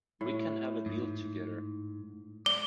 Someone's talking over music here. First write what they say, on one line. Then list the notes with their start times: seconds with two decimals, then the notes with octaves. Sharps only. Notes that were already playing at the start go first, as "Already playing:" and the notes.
We can have a deal together.
0.21 A2
0.86 G#2
2.46 D5 G7